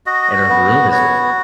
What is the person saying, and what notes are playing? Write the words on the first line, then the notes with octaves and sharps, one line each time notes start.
and her room is a
F#4 D#5
B3
F#4 C#5